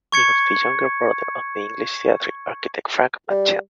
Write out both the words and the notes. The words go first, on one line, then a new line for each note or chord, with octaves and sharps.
He was the younger brother of the English theatre architect Frank Matcham.
C#6 G#6 C#7
G3